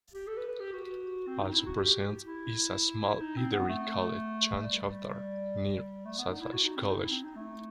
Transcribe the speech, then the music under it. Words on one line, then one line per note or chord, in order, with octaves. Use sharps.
Also present is a small eatery called "Chan Chavdar" near Sathaye college.
G4
A4
B4
B4
G4
F#4
C4
D#4
E4
F#4
G4
E4
D#4
C4
B3
A3
G3
A3
B3
D#4
E4
F#4
D#4
C4
D#4
E4
C4
D#4
A3